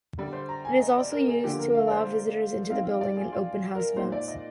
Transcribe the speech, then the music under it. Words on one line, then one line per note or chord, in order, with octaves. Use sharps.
It is also used to allow visitors into the building in open house events.
D3 G3 D4
C5
A#5
G#5
D#5
D5
A#4
G#4
D3 F3 A#3 D4 G4
A#4
F5
D5
C5
F3 C4 D#4 F5
F5
D5
G#4
F4
A#4
A#2 G#3 D#4 C5
D5
D#5